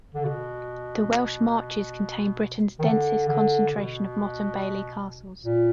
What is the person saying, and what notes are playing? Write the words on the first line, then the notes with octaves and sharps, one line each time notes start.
The Welsh Marches contain Britain's densest concentration of motte-and-bailey castles.
D3
B2
D#3
D3
D3
B2
A#2